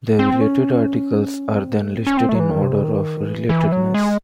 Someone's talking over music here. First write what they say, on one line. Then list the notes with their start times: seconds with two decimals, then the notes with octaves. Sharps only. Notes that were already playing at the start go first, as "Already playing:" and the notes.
The related articles are then listed in order of "relatedness".
0.19 C4
0.41 C#4
1.51 C4
1.74 A3
1.96 C4
2.07 C#4
2.17 C4
2.29 A3
2.35 F#3
2.40 E3
2.51 D#3
2.62 C3
2.73 C#3
2.84 D#3
3.28 E3
3.49 E3
3.72 F#3
3.94 G#3